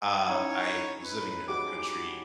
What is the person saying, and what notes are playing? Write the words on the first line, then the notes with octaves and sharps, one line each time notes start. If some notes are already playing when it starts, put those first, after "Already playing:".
uh, I was living in another country,
C#4 D#4 E4 C#5
B4
G3 G#3 F#4 D6
D6